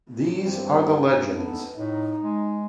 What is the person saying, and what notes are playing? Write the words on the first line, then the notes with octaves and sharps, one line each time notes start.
These are The Legends.
G2 G3 C4
B3 D#4 A4
A2 D#4
G#3